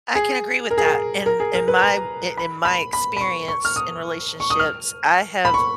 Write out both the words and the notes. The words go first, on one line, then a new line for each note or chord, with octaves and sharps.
I can agree with that, in in my i in my experience in relationships, I have
G#4
A#4
G#4
A#4
A#4
G#4
A#4
B4
A#5
B5
B5
B5
B5
C#6
C#6
F6
D#6
C#6
D#6
F6
B5
C#6